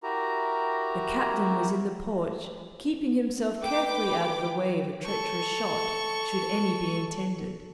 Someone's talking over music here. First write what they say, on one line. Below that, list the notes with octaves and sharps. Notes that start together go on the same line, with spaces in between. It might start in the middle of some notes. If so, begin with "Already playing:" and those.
The captain was in the porch, keeping himself carefully out of the way of a treacherous shot, should any be intended.
E4 F#4 G4 A#4 A#5
B4 G5 D6
A4 C#6